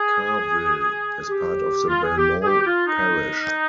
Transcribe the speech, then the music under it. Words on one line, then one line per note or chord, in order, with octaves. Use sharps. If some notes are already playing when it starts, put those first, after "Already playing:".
Carrville is part of the Belmont parish.
Already playing: G#4
G4
F4
G#4
G4
G#4
G4
G4
F4
D#4